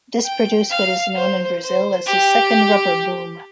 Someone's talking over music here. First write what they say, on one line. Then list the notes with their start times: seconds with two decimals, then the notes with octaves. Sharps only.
This produced what is known in Brazil as the "second rubber boom".
0.25 G5
0.70 F5
1.15 C5
1.61 C5
2.06 G4